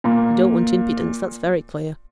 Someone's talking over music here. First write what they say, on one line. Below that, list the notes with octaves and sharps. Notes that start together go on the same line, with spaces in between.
You don't want impudence, that's very clear.'
A#2 A#3